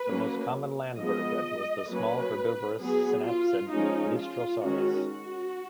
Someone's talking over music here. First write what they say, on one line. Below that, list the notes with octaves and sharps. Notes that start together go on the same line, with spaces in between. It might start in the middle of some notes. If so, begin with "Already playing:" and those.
The most common land vertebrate was the small herbivorous synapsid "Lystrosaurus".
Already playing: B4
F#3 A#3 C#4
F3 G#3 B3 D#5
F#3 A#3 C#4 B4
F#3 B3 G#4
F4
F3 G#3 C#4 D#4
F4
D#3 G#3 C#4 F#4
F#4